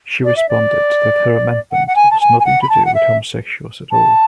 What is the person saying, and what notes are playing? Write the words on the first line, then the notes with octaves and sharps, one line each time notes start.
She responded that her amendment was nothing to do with homosexuals at all.
D5
E5
D5
F#5
F#5
G#5
A5
G#5
G#5
F#5
B5
A5
F#5
E5
A5